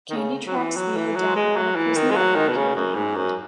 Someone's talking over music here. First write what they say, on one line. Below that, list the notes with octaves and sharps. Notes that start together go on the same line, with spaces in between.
Candy tracks Theo down at a prisoner of war camp in England.
D#3
C#3
F#3
E3
F#3
E3
F#3
G#3
F#3
E3
D#3
G#3
F#3
D#3
B2
C#3
F#2
G#2
F#2